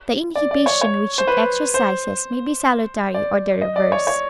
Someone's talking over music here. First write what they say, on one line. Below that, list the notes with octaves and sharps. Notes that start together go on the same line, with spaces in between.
The inhibition which it exercises may be salutary or the reverse.
D5
D5
C#5
C#5
C5
B4
C5
D5
D#5
D5
C#5
C#5